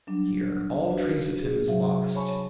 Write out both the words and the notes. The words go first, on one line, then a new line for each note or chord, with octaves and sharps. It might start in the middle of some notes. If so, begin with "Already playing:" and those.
Here all trace of him is lost.
F#3 G3 D4
D2
D4 F#4 B4 F5
G#4
C3 F#3 E5 F5
C#5 G#5 A5 B5 C#6